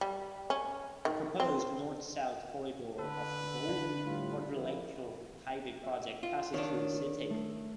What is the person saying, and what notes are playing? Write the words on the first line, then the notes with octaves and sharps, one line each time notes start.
The proposed North-south-Corridor of the Golden-Quadrilateral Highway project passes through the city.
G3
C#4
D#3
C4
D3 A4 B4
D3
A2 G3 F4
F3 A#3 E4
E5
F4
D#3 D4 C#5
A3 C7